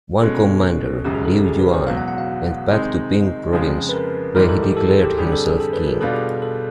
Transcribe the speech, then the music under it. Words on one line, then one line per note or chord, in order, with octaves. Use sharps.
One commander, Liu Yuan, went back to Bing Province where he declared himself King.
B2 G#3 C#4 A4
G#1 F#2 C#3 G4
G#4
A4
G4
G#4
B4
C5
E1 E2 B2 F#3 F5
F#5
F#5
F5
C3 D#3 G#3 C4 D#4 D#5
F2 C#3 F3 G#3
B4
A#4
G#2 E3 G3 A#4
A4
G4
A4
G#4
G4
F2 D3 G3 G#4
A4
G#4
A4
B4
A#4
B2 G3 B3 D4 F4 A4
G#4
A4